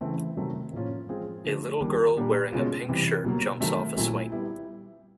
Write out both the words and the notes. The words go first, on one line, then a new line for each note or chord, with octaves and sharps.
A little girl wearing a pink shirt jumps off a swing.
C#3 E3 A3 C4
C3 D#3 F#3 A3 C4
A2 F3 A#3 C#4 F4
F3 G#3 C4 F4 G#4
D3 F3 A3
D#3 G3 A#3 D4
A#2 G3 A#3 D4 G4
B2 G#3 C#4 F4
C3 E3 G3 C4
B2 F#3 A#3
D#3 F#3 A3 C4
A#2 F#3 A3 C4 E4
G3 B3 E4